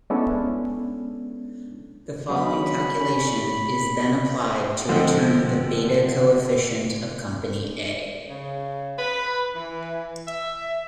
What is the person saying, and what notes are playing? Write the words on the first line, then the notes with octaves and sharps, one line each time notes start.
The following calculation is then applied to return the beta coefficient of company A.
G#3 B3 C#4 D4 E4 A4
F#3 G#3 B3 B5
C#4
D3 F3 G#3 C4
C#3
B4
E3
E5